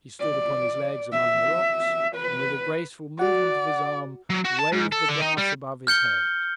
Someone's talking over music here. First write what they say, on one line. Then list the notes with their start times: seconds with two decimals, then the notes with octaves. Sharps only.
He stood upon his legs among the rocks, and with a graceful movement of his arm, waved the glass above his head.
0.21 D5
1.12 E5
2.16 B4
3.19 F#4 D5 F#5
4.30 F#3
4.45 F#4
4.59 A5
4.73 G#2
4.92 A4
5.09 D3
5.21 D#4
5.38 G3
5.87 F6 G6 C#7 G7